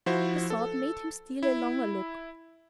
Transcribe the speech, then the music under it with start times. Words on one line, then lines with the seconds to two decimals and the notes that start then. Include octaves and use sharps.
The thought made him steal a longer look.
0.06 F3 E4 F#4 C5
0.50 A4
1.43 E4